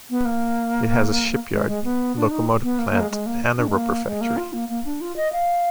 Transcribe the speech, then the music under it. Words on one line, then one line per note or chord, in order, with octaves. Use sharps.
It has a shipyard, locomotive plant, and a rubber factory.
B3
A#3
G#3
G#3
B3
D4
D#4
B3
A#3
A#3
G#3
G#3
A#3
D4
G#3
A#3
G#3
A#3
F4
A#3
A#3
D4
F4
D#5
F5